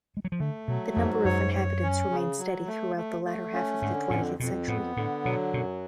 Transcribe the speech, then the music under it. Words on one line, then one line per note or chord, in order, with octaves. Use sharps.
The number of inhabitants remained steady throughout the latter half of the twentieth century.
G#3
F#3
F3
D3 A3
B2 F#3
F2 G#2
F#2 C#5
C#5
C#4
C#3
F#3
A3
A3
A3
C#4
G#2 D3
F2 A2
F2 B2
A2 B3
A2 D3
B2 F#3
F#2 B2